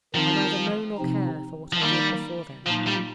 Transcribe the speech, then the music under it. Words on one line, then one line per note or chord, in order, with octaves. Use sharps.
I neither know nor care for what I did before then.
D#3 F3 C4 D#4
C3 F3 C4 D#4
F3
D#3 G3 A#3 D#4
A#2 F3 A#3 D#4
G3